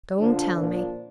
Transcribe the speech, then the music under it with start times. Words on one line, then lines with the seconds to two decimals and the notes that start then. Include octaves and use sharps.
Don't tell me.
0.19 D3 F3 D4
0.56 A#2 F3 A#3 D4